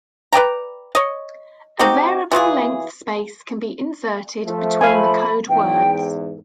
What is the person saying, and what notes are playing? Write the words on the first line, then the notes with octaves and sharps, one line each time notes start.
A variable length space can be inserted between the code words.
B4 D5 G5 A#5
C#5 D#5
C4 D#4 F#4 G4
E3 F#3 F4 G#4
F3 A3
F5 G#5 B5
E2 G#2 E3 G5